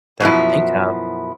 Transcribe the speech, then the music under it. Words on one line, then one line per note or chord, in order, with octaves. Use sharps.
that I can think of.
F#2 B2 F3 E4